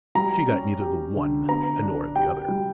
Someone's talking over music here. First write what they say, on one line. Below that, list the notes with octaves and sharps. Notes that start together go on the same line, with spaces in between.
She got neither the one nor the other.
G3 A#5
C#4
G4
D3
B3 A#5
D4
G4 G5
G3